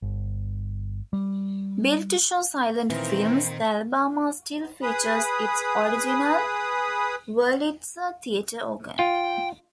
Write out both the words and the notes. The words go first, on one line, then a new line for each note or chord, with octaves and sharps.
Built to show silent films, the Alabama still features its original Wurlitzer theater organ.
G1
G3
A#2 D#3 E3 A#3 C4
G#4 B4 B5 D#6
F4 G5